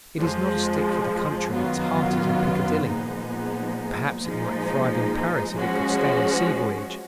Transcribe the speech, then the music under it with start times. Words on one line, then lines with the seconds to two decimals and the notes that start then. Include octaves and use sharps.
It is not a stick for the country; its heart is in Piccadilly. Perhaps it might thrive in Paris if it could stand the sea voyage.
0.18 F2 F3 G#3
1.52 F#2 D#3 F#3 B3 F4
2.86 A#2 F3 G#3 B3 D#4
4.20 A#2 F3 G#3 D#4
5.54 F3 G#3 C#4 F#4